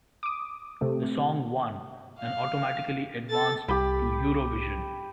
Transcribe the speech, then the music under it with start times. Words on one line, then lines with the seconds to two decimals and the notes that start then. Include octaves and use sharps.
The song won, and automatically advanced to Eurovision.
0.23 D6 D#6
0.81 C3 A3
2.19 F5
3.30 A4 A6
3.68 C2 G4 B5